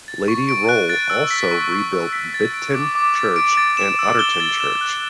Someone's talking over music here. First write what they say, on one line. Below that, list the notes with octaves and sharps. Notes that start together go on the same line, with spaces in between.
Lady Rolle also rebuilt Bicton Church and Otterton Church.
A6
C#6
D7
F#6
A6
E6
B6
C#6
C#6
E6
B6
A6
D7
D6
D6
A6
D7
A6
E7
E6
G7
A6
E7
F#6